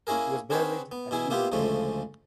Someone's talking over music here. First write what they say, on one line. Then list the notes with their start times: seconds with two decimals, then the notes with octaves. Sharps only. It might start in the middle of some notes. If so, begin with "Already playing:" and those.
He was buried at Oundle.
0.07 A#3 C#4 E4 G#4 A#4
0.50 C4 D4 G#4 B4 C#5 F#5
0.92 B3
1.11 B2 E3 E4 G#4
1.30 A#3 B3 E4 F4 G4
1.52 D2 C#3 F3 G#3 A3